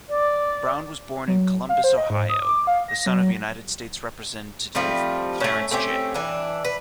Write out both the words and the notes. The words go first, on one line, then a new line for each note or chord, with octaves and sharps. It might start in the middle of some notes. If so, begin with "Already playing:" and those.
Brown was born in Columbus, Ohio, the son of United States Representative Clarence J.
D5
F#3
F5
C5
D#5
G#2
D#6
D6
F5
A#6
F#3
F3 G3 A3 C4
A3 C#4
A3 C4 C#4 G4
E3 D4
B4